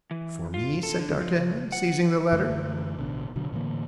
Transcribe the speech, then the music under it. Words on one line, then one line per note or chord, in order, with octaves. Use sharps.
"For me?" said d'Artagnan, seizing the letter.
E3
F4
A4
D3
F3
C#3
F#5
F#2 D3 E3 A3
A1 B2 D3
B2 D3 F#3
A2 D3 E3 A#3